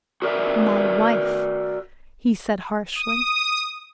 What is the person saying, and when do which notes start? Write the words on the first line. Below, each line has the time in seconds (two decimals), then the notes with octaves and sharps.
"My wife?" he said harshly.
0.22 F#4 A#4 D5 E5
2.95 D#6